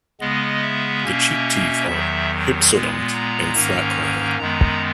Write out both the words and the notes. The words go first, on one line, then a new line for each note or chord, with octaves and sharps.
The cheek teeth are hypsodont and flat-crowned.
C#3 G#3 B3 D#5
E5
B2 A#3 C#4
E2 D#3 F#3 E5
A#2 G#3 B3
A#5
G#2 D#3 A#3 C#4
F#2 D#3 G#3 B3 A#5